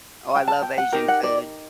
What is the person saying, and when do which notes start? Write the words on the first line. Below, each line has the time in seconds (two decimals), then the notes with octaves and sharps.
Oh, I love Asian food.
0.36 G5
0.48 A5
0.62 G5
0.78 F#5
0.92 D#4 G4 A#4 G5
1.08 F#5
1.24 D5